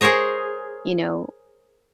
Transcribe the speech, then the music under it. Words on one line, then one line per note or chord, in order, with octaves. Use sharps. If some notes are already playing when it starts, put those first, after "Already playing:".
you know,
G#4 A#4 C5 C#5 D#5